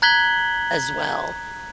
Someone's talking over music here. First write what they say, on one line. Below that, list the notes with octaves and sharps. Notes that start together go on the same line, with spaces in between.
as well.
A#5 F#6 G#6 B6 F#7 G7